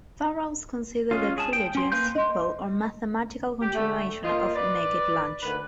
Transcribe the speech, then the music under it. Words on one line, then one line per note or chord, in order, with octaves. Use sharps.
Burroughs considered the trilogy a "sequel" or "mathematical" continuation of "Naked Lunch".
G#3 C#4 F4
G#4 A5
G5
C#4 C6
A#3 B4 F5 C6 G6
D#5 C6
G4
D3 A3
A#3 F4 C5 D#5
B4 D5
D2 D#3 B4